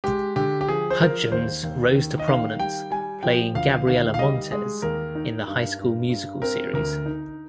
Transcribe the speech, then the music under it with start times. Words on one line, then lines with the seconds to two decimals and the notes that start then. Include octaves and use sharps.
Hudgens rose to prominence playing Gabriella Montez in the "High School Musical" series.
0.04 G#3 G4
0.36 D3 G4
0.61 G4
0.68 F3 G#4
0.90 C5
1.00 F3 A#4
1.32 D#2 C5
1.63 D#2
1.95 D#3
2.19 D#5
2.28 D#3 F5
2.60 G3 G5
2.91 G3 G#5
3.23 F3 G5
3.55 D2 F5
3.87 D#3 F5
4.14 F5
4.19 G3 D#5
4.51 G#3 G#4
4.82 D#2 A#4
5.15 D#4
5.47 G2
5.79 G2
6.10 G2
6.42 C4 A#4
6.74 D2 A#4
7.06 D#4